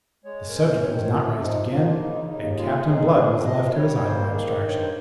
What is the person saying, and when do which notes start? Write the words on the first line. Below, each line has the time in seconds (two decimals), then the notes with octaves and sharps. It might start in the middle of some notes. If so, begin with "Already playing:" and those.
The subject was not raised again, and Captain Blood was left to his idle abstraction.
0.24 G#3 C#5
0.48 A#4
0.54 C#4 C5
0.83 D#3 C#5
0.90 C5
0.97 A#4
1.04 C5
1.11 C3 F4
1.41 F3 D#4
1.70 A#3 F4
1.99 C#3 D#4
2.29 D#2 D#4
2.58 G#3 F4
2.87 D#4 G#4
3.17 F3 G#4
3.45 A#2 D#5
3.74 G3 C#5
4.04 A#3 C5
4.33 D#3 G#4
4.62 G2 C#5
4.72 C5